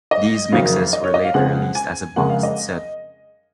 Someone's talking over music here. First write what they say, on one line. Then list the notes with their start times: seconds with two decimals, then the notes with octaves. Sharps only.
These mixes were later released as a boxed set.
0.11 D#5
0.52 F#1 F2 D#3 F#3 C4 F5
0.93 D#5
1.04 C#5
1.14 D#5
1.24 F5
1.34 C#2 C#3 G#3 C4 F#5
1.75 G#5
2.16 F#1 F2 C#3 G#3 F#5
2.30 F5
2.43 D#5